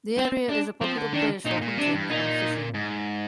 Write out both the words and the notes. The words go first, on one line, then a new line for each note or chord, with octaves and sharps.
The area is a popular place for hunting and fishing.
C4
D4
F3 C4
D3
D#3 D4
A#2 D#4
A#2
C3 D4
G2
A#2 D#4
G#2